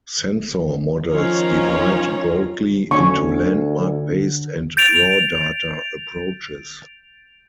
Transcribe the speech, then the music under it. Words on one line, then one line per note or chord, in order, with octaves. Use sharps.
Sensor models divide broadly into landmark-based and raw-data approaches.
D#3 F3 C#4 F4 C#5 A#5
D2 D3 C#4 C#5 C#6
G6 A6 D7 F7